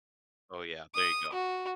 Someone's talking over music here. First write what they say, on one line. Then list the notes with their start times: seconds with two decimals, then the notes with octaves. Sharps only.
Oh, yeah, there you go.
0.95 D#6
1.33 F#4